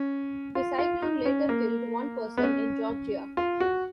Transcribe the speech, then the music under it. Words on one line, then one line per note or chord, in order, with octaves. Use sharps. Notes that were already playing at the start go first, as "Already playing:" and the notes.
The cyclone later killed one person in Georgia.
Already playing: C#4
F4
F4
D#4
C#4
A#3
B3
C#4
F4
F#4